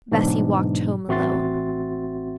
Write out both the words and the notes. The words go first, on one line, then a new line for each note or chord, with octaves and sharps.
Bessy walked home alone.
G#2 B2 E3 F#3 B3 D4
A1 C4 F#4 E5 C6 A6